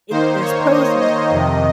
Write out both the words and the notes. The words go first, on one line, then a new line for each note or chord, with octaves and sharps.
it there's pros and cons.
D#3 A#3 D#4 C5
C#5
D#5
D#5
F2 C3 D#3